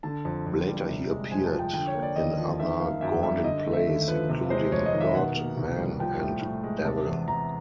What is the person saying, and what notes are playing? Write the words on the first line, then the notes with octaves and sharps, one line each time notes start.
Later he appeared in other Gordin plays, including "God, Man, and Devil".
D3 A5
F2 A5
F2
G3
C3
G#3
F2 G#5
A5
F3
G5
D3 G5
C#5
A#3
D5
D#2 D#5
F3
D#3 E5
A#3 F5
F#2 E5
G3 E5
D3 D#5
D#5
A3
E5
D#2
F3 B4
C3 B4
G#3 C5
F2 C#5
D#5
D#3
E5
B2 F#5
A#3
C2
G3
F3 G5
A2
A2
G#3
C3 A5
E2
E2 A#5